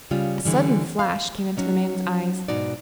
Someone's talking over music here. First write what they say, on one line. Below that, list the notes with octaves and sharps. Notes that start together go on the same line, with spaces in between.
A sudden flash came into the man's eyes.
C#3 G3 F4
D3 E3 G3
F5
F#3 C#4 D#4
G#2 B2 D#4 F#4 D5